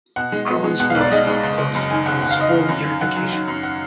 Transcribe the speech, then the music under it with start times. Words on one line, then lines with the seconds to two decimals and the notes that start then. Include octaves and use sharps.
Kirwin schools were closed through school unification.
0.16 B2 F#5
0.32 G#3
0.47 B3
0.64 G#3
0.80 B2 F#5
0.90 F5
0.95 B1
1.01 D5
1.11 G#3 D#5
1.27 G#3
1.43 F#1
1.58 F#1
1.75 F#2
1.90 D#3 G#5
2.06 F#1 F#5
2.21 F#1 F#5
2.31 F5
2.37 F#1 D#5
2.49 D#3 F5
2.69 F#2
2.85 D#3
3.01 F#3 F#5
3.16 F#3
3.32 D#3 F#5
3.48 F#2
3.63 F#5